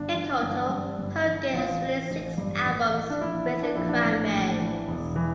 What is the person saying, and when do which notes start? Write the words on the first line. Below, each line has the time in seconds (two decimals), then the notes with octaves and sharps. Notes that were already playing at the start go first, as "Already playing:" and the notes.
In total, Hogan has released six albums with The Cranberries.
Already playing: G1 D4
0.14 E3
0.42 G1
0.69 G2
0.98 G1
1.26 E3
1.53 A1 F4
1.82 E3
2.10 A1
2.38 G2
2.66 A1
2.94 E3
3.10 D4
3.20 A#1 E4
3.49 E3
3.62 D4
3.75 A#1 E4
3.89 D4
4.05 A2
4.32 A#1
4.60 E3
4.88 E1
5.15 E3